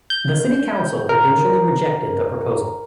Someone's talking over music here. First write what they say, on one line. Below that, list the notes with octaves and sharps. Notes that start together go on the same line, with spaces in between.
The city council eventually rejected the proposal.
G6
A#4